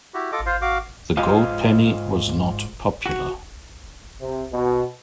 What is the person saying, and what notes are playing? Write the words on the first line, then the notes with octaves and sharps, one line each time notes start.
The gold penny was not popular.
E4 F#4 G4
F4 A4 D#5 D6
F4 C5 F5
F#4 F5 D6
G#2 F4 C5 D#5 F5
F#4
C3
B2